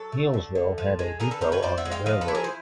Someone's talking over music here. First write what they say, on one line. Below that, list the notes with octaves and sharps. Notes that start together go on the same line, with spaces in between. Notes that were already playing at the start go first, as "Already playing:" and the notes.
Nielsville had a depot on the railroad.
Already playing: F#3 A4
A3
D3
D3
F3
G#3
D3 G#4 A#4
A4 B4
D3 A#4 C5
B4 C#5
F3 C5 D5
E5 F#5
G#3
F5 G5
F3 D#5 F5
A4 B4
E4
G#4 A#4
C5